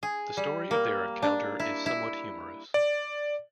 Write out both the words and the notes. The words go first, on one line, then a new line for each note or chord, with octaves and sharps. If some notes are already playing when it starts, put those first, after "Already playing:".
The story of their encounter is somewhat humorous.
G#4
G3
A#3
D4
E4
E4
D5